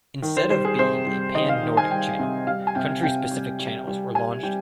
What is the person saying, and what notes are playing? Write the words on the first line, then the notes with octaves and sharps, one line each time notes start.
Instead of being a pan-Nordic channel, country specific channels were launched.
D#3
C5
G3 C5
G#4
C3 C5
G3
D#3 D#5
F5
D#3
G#5
G3 G5
C3
G3 F5
G#5
C3 G5
C3 G5
G3
G3
G3
G3 G#5
G3 G5